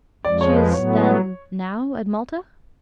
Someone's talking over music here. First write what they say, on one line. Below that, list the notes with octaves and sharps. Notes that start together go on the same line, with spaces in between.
"She is, then, now at Malta?"
F2 F3 G#3 D5
C#5
B4
A2 F#3 B3 C#5